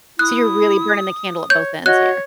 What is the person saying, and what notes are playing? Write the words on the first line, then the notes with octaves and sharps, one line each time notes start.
so you're really burning the candle at both ends here.
E4 D#6 F#6
C#5 G6
F#4 C#5 D#5 F#6